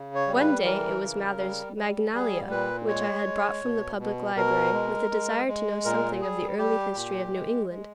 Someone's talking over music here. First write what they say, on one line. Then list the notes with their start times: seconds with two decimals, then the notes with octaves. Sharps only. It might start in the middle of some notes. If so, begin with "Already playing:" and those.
One day it was Mather's "Magnalia," which I had brought from the public library, with a desire to know something of the early history of New England.
Already playing: C#3
0.15 C#5
0.27 G3
0.40 B4
0.65 E3 A#4
1.02 C#3
1.39 G3
1.76 G3
2.13 G3 G#4
2.51 A#2 B4
2.87 G#3 C#5
3.25 G#3
3.62 B2
3.99 B2
4.36 B2 A#4
4.73 G#3
5.11 G#3
5.48 G#3
5.85 A#2 A#4
6.21 G3 G#4
6.58 G3 G4
6.95 A#2
7.33 G#3
7.70 G#3